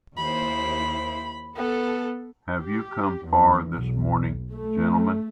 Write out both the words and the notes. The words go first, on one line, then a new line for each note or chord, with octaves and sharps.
Have you come far this morning, gentlemen?
D#2 E4 C5 B5
B3 A4
G4
E2
B1
A3